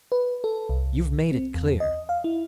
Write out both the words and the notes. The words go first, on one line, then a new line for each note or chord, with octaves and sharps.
You've made it clear.
B4
A4
C2
C4
E2
D#5
F5
E4